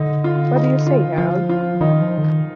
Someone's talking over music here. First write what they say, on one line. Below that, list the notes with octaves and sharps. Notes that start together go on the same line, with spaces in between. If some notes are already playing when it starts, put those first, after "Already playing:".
What do you say, Harold?
Already playing: D3 D#4
F4
D#4
F4
F3 F4
F4
D#3 D#4
F3
D3
D#3